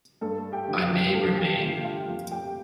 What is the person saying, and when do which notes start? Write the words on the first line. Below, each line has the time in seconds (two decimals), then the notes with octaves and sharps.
I may remain.
0.21 G2 A4 A5
0.52 G4 G5
0.68 D3 F3
0.83 F4 F5
1.14 G2 A4 A5
1.38 G4 G5
1.61 D3 F3 F4 F5
1.84 F4 F5
2.08 F2
2.31 G4 G5